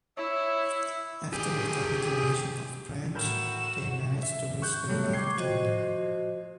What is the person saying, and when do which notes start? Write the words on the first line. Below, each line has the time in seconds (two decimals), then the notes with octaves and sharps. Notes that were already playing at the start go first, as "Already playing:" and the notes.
After the capitulation of France, they managed to reach the United Kingdom.
0.18 E4 C#5 E5
1.33 G4 G#4
3.15 A2 F#4 A#4 G6 E7
4.23 E5
4.62 C#6 F#6 G6
4.88 F#3 G3 A3 C#5
5.13 G5 C#6 D6 G#6 C7
5.38 F3 F#4 C5 D#5